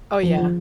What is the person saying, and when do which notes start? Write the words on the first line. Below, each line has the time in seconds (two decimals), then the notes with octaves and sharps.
Oh, yeah.
0.23 F3
0.38 F3